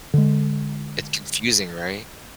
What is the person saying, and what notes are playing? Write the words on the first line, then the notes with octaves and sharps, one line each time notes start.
It's confusing, right?
D3 G#3